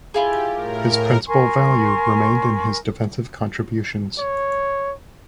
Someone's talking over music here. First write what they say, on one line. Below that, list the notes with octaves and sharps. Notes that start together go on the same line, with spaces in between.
His principal value remained in his defensive contributions.
E4 F4 G4 G#4
A2 A#4
A#4 G#5 C6 C#6
C#5